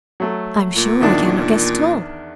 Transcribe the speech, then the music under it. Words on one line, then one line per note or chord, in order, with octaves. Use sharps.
"I am sure I cannot guess at all."
F#3 A3
A#2
E2 D#3 D4